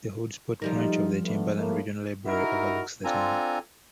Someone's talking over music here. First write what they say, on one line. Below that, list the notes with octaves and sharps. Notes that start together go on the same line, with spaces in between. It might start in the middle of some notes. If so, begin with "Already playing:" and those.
The Hoodsport branch of the Timberland Regional Library overlooks the town.
G#2 F3 G3 A3 D#4 A#4
D3 A3 B3
A2 A3 A#3
D#4 E4 F#4 A#4
C4 D4 F4 A4 G#5 A#5